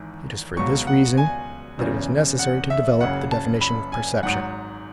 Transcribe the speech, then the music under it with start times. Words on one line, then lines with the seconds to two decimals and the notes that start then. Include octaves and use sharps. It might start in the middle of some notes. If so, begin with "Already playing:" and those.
It is for this reason that it was necessary to develop the definition of perception.
Already playing: G#1 G#2 E3
0.56 C#2 B2 F#3 C#6
0.87 F#5
1.17 G#5
1.78 E1 E2 C#3 E3
2.39 F#5
2.70 E5
3.01 F#1 F#2 C#3 F#5
3.31 A5
3.61 B5
3.92 G#5
4.23 G#1 G#2 F#3 F#5